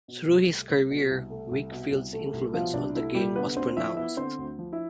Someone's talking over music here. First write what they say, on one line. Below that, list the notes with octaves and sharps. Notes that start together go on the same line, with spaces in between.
Through his career, Wakefield's influence on the game was pronounced.
B2
C2
A3
C2
B2
C2
A3
C2
B2
C2
A3
C2
B2 F3 F4
C2 D4
A3 E4
C2 G3 G4
D3 B3 B4
D2 C4 C5
F3 E4 E5
B3 E4 E5
D3 C4 C5
D2
F3
E4 E5